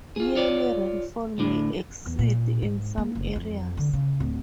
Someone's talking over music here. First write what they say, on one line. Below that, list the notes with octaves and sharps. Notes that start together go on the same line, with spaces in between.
Yearly rainfall may exceed in some areas.
F4 G#4
F4 C#5 D5
D2 A2 D4
E2
A#2
G#2
A#3
F#1
F2
D3
C#3
D1